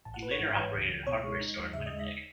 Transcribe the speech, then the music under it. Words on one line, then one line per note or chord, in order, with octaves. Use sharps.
He later operated a hardware store in Winnipeg.
A1 A5
F#5
A1 B4
C#5
G#2
E3
C#2
C#2
B2 C#5
G#3
D#4
D#2
C#3 E5
G#3 D#5
E5